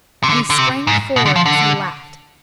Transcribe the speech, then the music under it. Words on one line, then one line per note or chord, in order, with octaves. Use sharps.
And he sprang forward as he laughed.
C3
D3
D3
C3
G#2
B2
D3
F3
D3